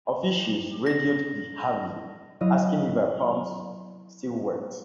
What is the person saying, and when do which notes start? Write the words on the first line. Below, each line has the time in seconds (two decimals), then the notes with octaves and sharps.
Officials radioed the "Harvey," asking if her pumps still worked.
0.86 A#6
2.40 F#3 E4 D#5 F5